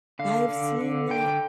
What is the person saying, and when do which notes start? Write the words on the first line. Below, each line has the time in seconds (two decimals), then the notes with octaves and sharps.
I've seen that.
0.19 D3 F5
0.49 D3
0.81 D3
1.11 D3 G5